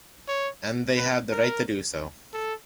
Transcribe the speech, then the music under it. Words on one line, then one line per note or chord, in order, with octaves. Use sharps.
And they have the right to do so.
C#5
B4
A#4
A4